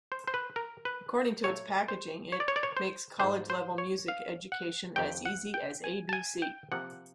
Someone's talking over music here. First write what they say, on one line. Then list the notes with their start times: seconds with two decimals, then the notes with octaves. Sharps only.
According to its packaging it "Makes College-Level Music Education as Easy as A-B-C!".
0.12 C5
0.27 C5
0.34 B4
0.56 A#4
0.85 B4
1.44 A#2 F#3 A3 C#5
1.88 C5
2.32 C#5
2.40 D5
2.48 C#5
2.56 D5
2.63 C#5
2.77 C5
3.20 G#2 F3 A3 C5
3.50 C5
3.78 C#5
4.08 F5
4.52 F#5
4.96 F2 C3 D#3 G5
5.25 F#5
5.54 G5
5.84 G#5
6.09 A5
6.13 G#5
6.42 G5
6.72 C3 F3 A#3 F#5